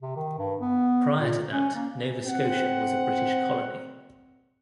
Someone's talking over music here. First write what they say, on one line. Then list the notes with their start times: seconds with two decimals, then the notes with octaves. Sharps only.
Prior to that, Nova Scotia was a British colony.
0.02 C3
0.16 D#3
0.38 G2
0.60 B3
1.15 A#2
1.52 C#4
1.75 A#3
2.26 C4 F#5